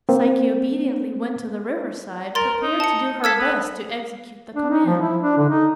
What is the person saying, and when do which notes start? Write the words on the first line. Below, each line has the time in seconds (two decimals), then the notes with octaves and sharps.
Psyche obediently went to the riverside, prepared to do her best to execute the command.
0.09 A#3 C4
2.35 A#4 C6 A6
2.63 D#4
2.80 A5 C#7
3.24 A4 E6 G#6 B6
3.39 B3
4.56 D4
4.70 D#4
4.86 F3
5.01 E4
5.22 D4
5.37 D3
5.49 D#4